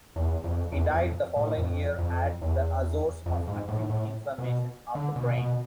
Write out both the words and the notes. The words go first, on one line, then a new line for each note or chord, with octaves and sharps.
He died the following year at the Azores of "acute inflammation of the brain".
E2
F2
E2
F2
A2
F2
F2
E2
F2
G#2
A2
A2
B2
D3
B2
B2